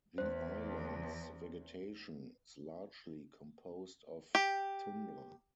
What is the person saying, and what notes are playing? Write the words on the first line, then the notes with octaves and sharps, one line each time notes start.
The island's vegetation is largely composed of tundra.
E2 C5
G4